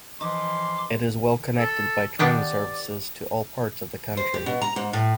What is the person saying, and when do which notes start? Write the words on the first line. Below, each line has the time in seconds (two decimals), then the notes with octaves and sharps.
It is well connected by train services to all parts of the country.
0.21 E3 F3 D#4 C6 D6
1.59 A4
2.19 D#3 B3 D4 G4 D5
4.17 C5
4.34 G4
4.46 B2
4.62 A#5
4.76 G#2
4.93 A2